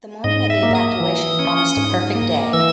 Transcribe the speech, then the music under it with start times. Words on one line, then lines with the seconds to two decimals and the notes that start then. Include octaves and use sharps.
The morning of the evacuation promised a perfect day.
0.24 G#2 D#5
0.50 E5
0.63 A#3
0.75 D#6
1.00 E3
1.39 C#4
1.77 G#2
2.15 A#3
2.53 E3 E6